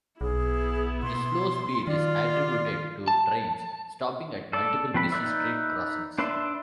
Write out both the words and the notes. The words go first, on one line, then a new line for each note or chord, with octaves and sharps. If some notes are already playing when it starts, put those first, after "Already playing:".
The slow speed is attributed to trains stopping at multiple busy street crossings.
B1 B3 E4 G#4
B2 C6
D#3 F4 D5
A5
A4 D5
F3 C4 B4 B5
D#4 B4 D5 E5
D4 B4 D5 E5 C6